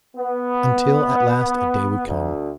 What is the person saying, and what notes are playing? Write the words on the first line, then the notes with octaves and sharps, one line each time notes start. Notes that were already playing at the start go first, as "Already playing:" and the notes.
Until at last a day would come....
B3
D2